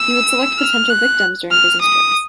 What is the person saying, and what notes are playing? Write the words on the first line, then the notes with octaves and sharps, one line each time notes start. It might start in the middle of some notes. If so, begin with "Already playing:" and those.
He would select potential victims during business trips.
Already playing: E6
F6
F#6
F6
D#6